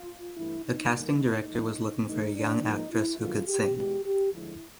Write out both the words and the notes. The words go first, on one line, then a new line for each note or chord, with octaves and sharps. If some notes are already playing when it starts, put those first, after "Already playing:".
The casting director was looking for a young actress who could sing.
Already playing: F4
G2 E3 A3 E4
D#4
D#2 D3 G3 A#3 D#4
A#2 F3 A3
G2 E3 A3 D#4
D4
G#2 F3 A#3 D#4
E4
G2 D#3 F#3 A3 F4
G4
E2 B2 G#3 G4
G4
D#2 D3 F3 G#3 E4